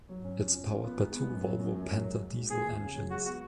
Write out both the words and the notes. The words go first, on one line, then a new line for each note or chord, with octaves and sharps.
It is powered by two Volvo Penta diesel engines.
F#3
C#4
F2
C#4
F4
B3
G#2
B3
F#2
F#3
F#2
F#2
F#3
G#2
G#2
F#4
A#3 G#4
D#2
C#3
F#3
G#3 F#4
B3 F#4